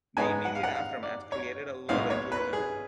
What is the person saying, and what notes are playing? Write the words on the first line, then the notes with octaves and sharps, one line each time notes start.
The immediate aftermath created a lull in tourism.
G#2 G#3 B3 G#5
F#5
F5
F#5
F5
D5
C#5
B1 A2 G#3 B3 F5
C#5
B4
G#4